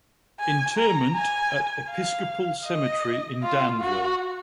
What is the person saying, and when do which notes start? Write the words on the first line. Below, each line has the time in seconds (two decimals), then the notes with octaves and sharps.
Interment at Episcopal Cemetery in Danville.
0.40 G#5
0.77 A#5
1.16 G#5
1.91 F5
2.67 D#5
3.43 F4
3.81 F#4